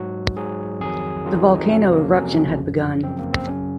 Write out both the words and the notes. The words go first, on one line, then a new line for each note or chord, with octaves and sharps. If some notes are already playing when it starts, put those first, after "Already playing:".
The volcano eruption had begun.
Already playing: G#2 F#3 F#4
G#2 F#3 G#4
F2 D#3 F#3 G#4
F2 D#3 F#3 F4
D#4
F2 C3 F#3 C#4
A#3
F2 C3 F#3 C#4
F#2 C#3 F3
F#2 C#3 F3 C4
A#3
C4
F#2 C#3 F#3 C#4